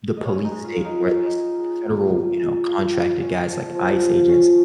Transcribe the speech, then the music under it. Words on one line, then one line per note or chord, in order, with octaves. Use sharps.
the police state or at least federal, you know, contracted guys like ICE agents,
D#5
G#3 C#4 C#5
D#4 D#5
G#3
F4 F5
F4 F5
D#4 D#5
C#4 D#5
C#5
D#4 D#5
G#3
G#3
F4
C#4
G#3
G#3 F4 F5
F4
C#4
F3
F3
F4
C#4